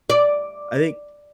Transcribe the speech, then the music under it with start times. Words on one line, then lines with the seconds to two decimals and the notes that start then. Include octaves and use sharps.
I think,
0.10 D5